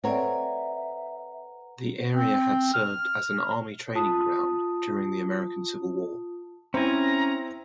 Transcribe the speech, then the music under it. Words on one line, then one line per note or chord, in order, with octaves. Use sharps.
The area had served as an Army training ground during the American Civil War.
C4 A4 B4 C#5 D5 E5 F#5 A#5
C4
F6
F4 A5 D#6
C4 C#4 E4 G#5 A#5